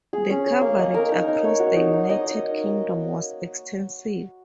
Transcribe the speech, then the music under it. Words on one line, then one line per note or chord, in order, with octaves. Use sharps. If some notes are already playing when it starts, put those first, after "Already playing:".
The coverage across the United Kingdom was extensive.
G#4
C#4
C#5
A#3
D#5
A#4
D#4
D#4
C#5
F#4
D#4
D#4
D#5